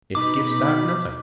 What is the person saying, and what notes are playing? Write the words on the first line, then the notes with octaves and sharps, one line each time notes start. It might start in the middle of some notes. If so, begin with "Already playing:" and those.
It gives back nothing.
B2 D#4 B5 D6